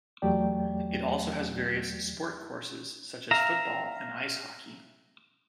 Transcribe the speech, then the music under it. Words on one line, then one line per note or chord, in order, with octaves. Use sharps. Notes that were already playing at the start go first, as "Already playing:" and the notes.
It also has various sport courses such as football and ice hockey.
E2 F#3 A3 G4 D5 G5
E5 F5 A#5